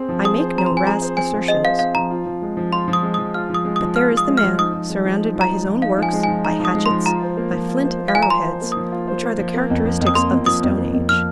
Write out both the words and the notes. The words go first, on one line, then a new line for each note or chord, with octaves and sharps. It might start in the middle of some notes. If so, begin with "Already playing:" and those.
I make no rash assertions; but there is the man surrounded by his own works, by hatchets, by flint arrow-heads, which are the characteristics of the stone age.
Already playing: C4 G#4 C5
F3
G#4 D#6
C5
C4 A#5
C6
F3
G#5
G#4 A#5
C5
C4 G#5
F3
G#4 D#5
C5 F5
C4 F5
F3 A#5
F4
F3
G#3
F3
F4 C6
F3
D#6
G#3
D#6
F3
F4 F6
F3
D#6
G#3
D#6
F3
F4 F6
F3
D#6
G#3
F6
F3
D#4 D#6
F3
G#3
F3
D#4
F3
A#5
G#3
F3
D#4 F5
F3 G#5
G#3
G#5
F3
D#4 A#5
F3
D#6
G#3
C6
F3
F4 A#5
C5
A#3
F3
F4
C5
A#3
F5
F3 G#5
A#5
F4 C6
C5
A#3
F3 D#6
F4
C5
A#3
F3
A#3
F2
F3
F2
D#6
A#3 C6
F2
F3 D#6
F2
A#3
F2
F3 F6